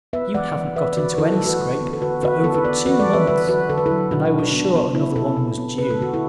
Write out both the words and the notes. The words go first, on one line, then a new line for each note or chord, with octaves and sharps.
You haven't got into any scrape for over two months, and I was sure another one was due.
B3 B4 E5
E3 D5 F#5
E3
E3 B4 E5
D5
E3 F#4 B4
B4
E3 E4 A4
E4 A4
A3
F#4 B4
D3
B3
A4
D3 F#4 B4
D3 F#4 B4
B3 E4 A4
B4
B3 A4 D5
E3 F#4 B4
A4 D5
E3
B4 E5
D3 B4 E5
F#3 F#4 B4
D3 A4
B4
E4 A4
F#3
B2 D4 F#4
D4
B2
D4
B3 D4
B3
B3 E4
B2 E4 A4
B2
B3
B3 B4
A4
D3 F#4
E4 A4